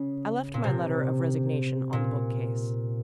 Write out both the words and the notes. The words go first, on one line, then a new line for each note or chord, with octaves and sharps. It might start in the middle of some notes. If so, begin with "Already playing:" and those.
I left my letter of resignation on the bookcase.
Already playing: C#3
A#2
C3
A#2